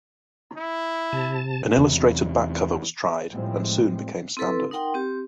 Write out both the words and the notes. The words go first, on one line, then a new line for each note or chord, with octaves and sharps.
An illustrated back cover was tried, and soon became standard.
E4
C3 A5
E2 C3
A2 F3 G3 G#3 B3 C4
C4 E4 A4 B4 C6
D#4 A#4 F#5 G5 C6
C4 G4